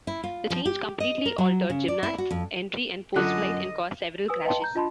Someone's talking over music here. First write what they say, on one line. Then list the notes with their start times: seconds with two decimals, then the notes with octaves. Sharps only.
The change completely altered gymnasts' entry and postflight and caused several crashes.
0.07 E4
0.24 F4
0.50 F3
0.65 G4
1.00 D#5
1.26 A#4
1.38 F#3
1.70 C#3
1.88 D5
2.03 E4
2.18 F#4
2.31 F2
3.16 F#2 D3 F4 D#5 F#5 F#6
4.28 B4 G#5 D#6 E6
4.45 B4 D#5 F5 G5 A5 C6
4.62 A#5 G6
4.75 D4 F4 D#5 A5 B5 C6